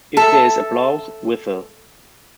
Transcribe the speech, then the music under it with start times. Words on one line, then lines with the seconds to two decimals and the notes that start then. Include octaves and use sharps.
If there is applause, whistle.
0.17 A4 E5